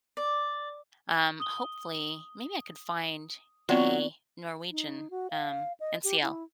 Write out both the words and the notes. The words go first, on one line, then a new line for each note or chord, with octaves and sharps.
um, hopefully maybe I could find a Norwegian, um, NCL
D5
D#6 G7
F#3 B3 C4 F4 D5
D#4
F#4
F5
D#5
G4
E4